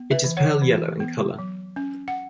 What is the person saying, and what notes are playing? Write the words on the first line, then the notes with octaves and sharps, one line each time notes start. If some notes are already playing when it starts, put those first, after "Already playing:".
It is pale yellow in colour.
Already playing: B3
B4 E5
E3
C#5 F#5
E3
B3
F#3
C#4
F#5